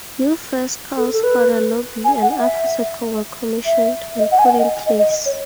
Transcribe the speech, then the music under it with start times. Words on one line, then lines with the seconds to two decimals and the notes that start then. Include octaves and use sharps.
New frescos for the lobby and upper circle were commissioned and put in place.
0.97 A4
1.13 A4
1.23 B4
2.04 G#5
2.22 F#5
2.40 E5
3.66 E5
4.19 D#5
4.32 F#5
4.39 G#5
4.45 F#5
4.59 D#5
4.86 D#5
4.99 D#5
5.26 C#5